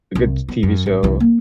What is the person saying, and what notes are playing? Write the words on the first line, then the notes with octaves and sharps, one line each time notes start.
a good TV show,
C2
B3
F#2
G#1
C2 E3
A#3